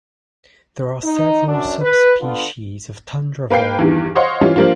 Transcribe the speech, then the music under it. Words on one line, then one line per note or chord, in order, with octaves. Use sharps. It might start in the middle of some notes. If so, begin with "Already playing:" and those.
There are several subspecies of tundra vole.
D#4
F#2 D4
B4
D3 B3 F4
A#3 B4 F5 G5 C7
E2 G2 D#3 E3
C5 C#5 D#5 F5 F#5 C6
E3 G3 C#4 F4
F3 G3 A#3 D4 F4